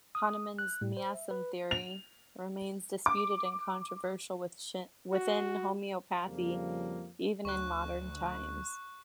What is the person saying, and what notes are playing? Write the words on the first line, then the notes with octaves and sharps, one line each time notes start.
Hahnemann's miasm theory remains disputed and controversial within homeopathy even in modern times.
D#6
F#6
A2
C5
E5
B4
F7
D6
F#4
F2 C#3 F3 G3 A#3
D2 C#6 F#6